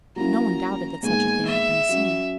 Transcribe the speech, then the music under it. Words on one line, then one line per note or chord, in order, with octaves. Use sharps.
No one doubted that such a thing had been seen.
F#3 A#3 C#4 E4 A#5
A#2 G#3 B3 D#4 G#5
E5
F#3 C#4 F#4